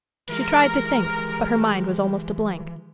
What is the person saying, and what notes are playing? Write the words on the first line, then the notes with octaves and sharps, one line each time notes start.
She tried to think, but her mind was almost a blank.
E3 F3 G#3 G4 A#4